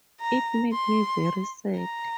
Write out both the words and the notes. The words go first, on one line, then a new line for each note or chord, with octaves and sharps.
It made me very sad.
A#5
C6
A#5